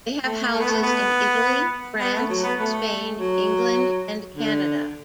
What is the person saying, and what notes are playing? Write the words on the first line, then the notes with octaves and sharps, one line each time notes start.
They have houses in Italy, France, Spain, England, and Canada.
A3
A3
B3
A3
B3
B3
A3
F#3
B3
A3
F#3
D3